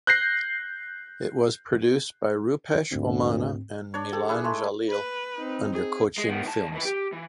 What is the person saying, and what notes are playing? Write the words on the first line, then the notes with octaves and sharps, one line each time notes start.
It was produced by Roopesh Omana and Milan Jaleel under Cochin Films.
F#6 G6 A#6 C7
D2 G#2 C4
D4 C#5
G4 A4
E4 G#4 B4
G#3 A3
B4
C4 D#4
G#4
G#3
D#3 B3
C2 A5
D#3 B4
G4
E3